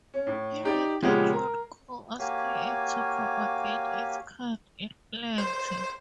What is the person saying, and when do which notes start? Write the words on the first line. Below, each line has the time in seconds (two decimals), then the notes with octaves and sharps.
He let the trout go, asking it to propagate its kind in plenty.
0.14 C#4
0.27 A2
0.64 D#4 G4 D5
1.02 A#2 C#3 F3 G#3 B3 G4
1.33 A#4
2.19 A#3 F#4 G4 C#5 F5 G#5
5.38 C5